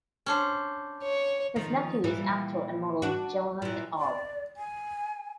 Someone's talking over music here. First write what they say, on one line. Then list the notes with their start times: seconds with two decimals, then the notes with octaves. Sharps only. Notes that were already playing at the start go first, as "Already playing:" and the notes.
His nephew is actor and model Johann Urb.
0.26 C#4 D4 C5
1.04 C#5
1.56 D#3 F3
2.04 A#2 E3 G3
3.02 D4 F#4
3.62 A#2 E3
3.98 D5
4.57 G#5